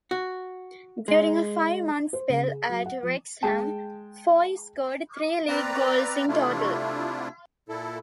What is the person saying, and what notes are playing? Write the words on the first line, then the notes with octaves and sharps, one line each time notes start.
During a five-month spell at Wrexham, Foy scored three league goals in total.
F#4
G#3
C5
C#3
G#4
F#3
F#5
F3
G#3 G5 A5
C4 B4 D5 A#5
C3 A3 D4 E4 F4
A#2 E4 A4